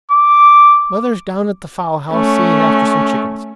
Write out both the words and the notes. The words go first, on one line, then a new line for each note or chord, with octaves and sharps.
Mother's down at the fowl-house seeing after some chickens.
D6
A3 C#4